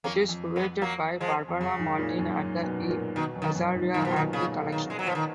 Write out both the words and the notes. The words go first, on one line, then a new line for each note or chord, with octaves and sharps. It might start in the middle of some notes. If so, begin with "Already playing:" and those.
It is curated by Barbara Martin at the E. Azalia Hackley Collection.
F2 A#3 C#4
F2
G#3 B3
F#3 A#3
F3 G#3
F2
F#2 C#3
G#2
A#2
F#2
G#2
B2
G#2
A#2
B2 D#3
F#2
D#3
F#2
G#2
A#2 D#3
B2 F3
A#2 D#3
C#3
D#3
G#3
F#3
F3
D#3